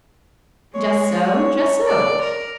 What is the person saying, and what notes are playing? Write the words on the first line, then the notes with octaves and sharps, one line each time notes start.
'Just so, just so.
G#3 C#5
D5
A#4